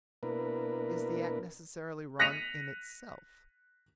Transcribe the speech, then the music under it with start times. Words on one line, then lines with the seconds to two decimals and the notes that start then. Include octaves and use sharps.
Is the act necessarily wrong in itself?
0.23 B2 A#3 D4 E4 A#4 B4
2.19 F#6 A#6 B6 C#7 D#7 F7